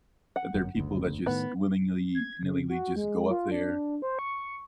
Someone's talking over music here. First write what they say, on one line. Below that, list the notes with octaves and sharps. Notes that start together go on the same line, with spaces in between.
that there are people that just willingly-nilly would just go up there,
F#5
G1 F#2
F#1 D2
A2 D#3 B3
G#6
C#3
F#4
G#3
F4
D4
C5
C#6